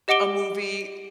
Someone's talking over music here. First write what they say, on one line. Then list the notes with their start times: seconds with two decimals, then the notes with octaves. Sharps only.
a movie
0.08 G4 D#5 F#5 D6 D7 G7